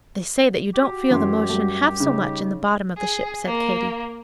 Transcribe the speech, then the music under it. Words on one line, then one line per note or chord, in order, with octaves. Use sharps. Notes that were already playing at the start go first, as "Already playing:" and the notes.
"They say that you don't feel the motion half so much in the bottom of the ship," said Katy.
F#4 G4
F#2 E3 C6
G3 A3
C#3 D#4
G#4
A#3